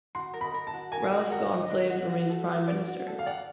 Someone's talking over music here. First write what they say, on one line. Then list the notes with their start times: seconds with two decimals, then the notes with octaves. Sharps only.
Ralph Gonsalves remains Prime Minister.
0.15 F#4 C6
0.34 A#4
0.41 B5
0.54 A#4
0.67 A5
0.73 F#4
0.92 A#4 G#5
1.13 F#4
1.31 A#4 F#5
1.51 D#5
1.70 D4
1.90 F#4
2.09 F#4
2.30 A4
2.48 F#4
2.68 D5
2.87 F#4
3.07 A4
3.19 F5
3.26 D5 F#5